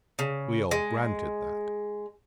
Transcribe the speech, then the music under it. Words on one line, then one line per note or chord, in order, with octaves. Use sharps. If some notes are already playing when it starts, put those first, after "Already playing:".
We all granted that.
C#3
G#3